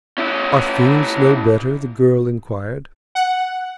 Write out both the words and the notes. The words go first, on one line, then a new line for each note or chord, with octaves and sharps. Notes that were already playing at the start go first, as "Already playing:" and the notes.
'Are things no better?' the girl inquired.
C#4 E4
F#5